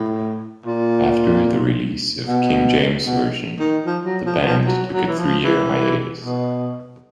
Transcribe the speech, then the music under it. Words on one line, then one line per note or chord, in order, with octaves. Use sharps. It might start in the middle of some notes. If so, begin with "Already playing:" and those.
After the release of "King James Version", the band took a three-year hiatus.
Already playing: A2
A#2
B2
B2
D#3
F3
F#3
F3
F3
F#3
F#3
E3
F3
E3
B2